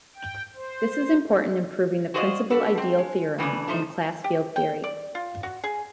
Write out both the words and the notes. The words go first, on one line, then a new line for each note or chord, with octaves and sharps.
This is important in proving the principal ideal theorem in class field theory.
G5
C5
F#4 G#4 C5 D5 D#5 F5
D4 F#4 A4 B4
C4
G#3
C#3 E3 A3 D4
F3 A3 D#4 C5
G4
G5
D5
F4
F#4
G#4